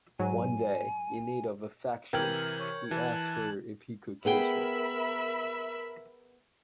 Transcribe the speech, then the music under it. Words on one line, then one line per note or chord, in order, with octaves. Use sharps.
One day, in need of affection, he asked her if he could kiss her.
G#2 F#3 G#5
C3 E3 A#4 G5 F6 G6 G#6 F#7
C#5
E3 A5 F#6
B3 G#4 A#4 E5 G5 B5